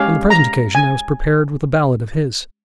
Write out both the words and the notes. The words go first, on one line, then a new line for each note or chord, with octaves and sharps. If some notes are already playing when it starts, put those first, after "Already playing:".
On the present occasion, I was prepared with a ballad of his.
Already playing: G#3 C#4 G4 F5
A#5
G#5